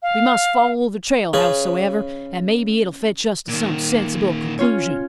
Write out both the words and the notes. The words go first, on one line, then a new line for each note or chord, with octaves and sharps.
We must follow the trail, howsoever; and maybe it'll fetch us to some sensible concloosion.
F5
C#3 C#4 G#4 B4
A#2 D#3
C#4 F4 C#5